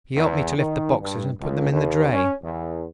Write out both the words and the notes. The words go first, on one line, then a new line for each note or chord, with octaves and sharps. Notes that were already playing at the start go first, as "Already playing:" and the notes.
He 'elped me to lift the boxes and put them in the dray.
E2
D#3
G2
C#2
D#2
C#4
E2